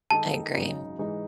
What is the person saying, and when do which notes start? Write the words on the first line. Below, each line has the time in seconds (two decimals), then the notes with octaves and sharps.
I agree.
0.10 D#3 G#3 D#4 A4 A5
0.55 G#1 F#2 C#3 G#3 D#4
0.99 G#2 E3 G#3 D#4 G#4